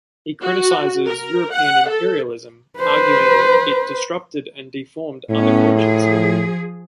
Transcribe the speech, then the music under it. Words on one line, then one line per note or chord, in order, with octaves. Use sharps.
He criticizes European imperialism, arguing that it disrupted and deformed other cultures.
F#4
A#4
F#5
A4
B4 C5
A2 B3 C#4
F3 G#4